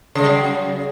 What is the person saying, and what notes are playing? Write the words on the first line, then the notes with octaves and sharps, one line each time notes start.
And m
C#3